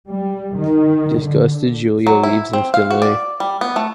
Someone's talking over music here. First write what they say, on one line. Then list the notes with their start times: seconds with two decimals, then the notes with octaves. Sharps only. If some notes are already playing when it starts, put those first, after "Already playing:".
Disgusted, Julia leaves instantly.
0.11 G3
0.57 D#3
1.20 D3
2.07 F#3
2.23 E4
2.53 C4
2.74 F5
2.90 F#4
3.02 D5
3.40 G3
3.61 B3
3.76 A3